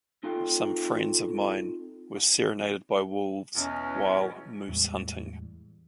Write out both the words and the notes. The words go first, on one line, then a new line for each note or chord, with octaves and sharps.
Some friends of mine were serenaded by wolves while moose-hunting.
C4 D#4 F4 A4 F5 G5
E2 B2 C#4 D#5
E2 A2 E3 G3 G#3